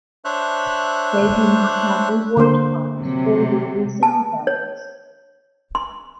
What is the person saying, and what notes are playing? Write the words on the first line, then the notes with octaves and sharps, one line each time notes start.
They do not have rewards cards or weekly sales ads.
D4 C5 C#5 E5 F#6
D3 A#3 C5
C3 F#3
A5
C#5
C6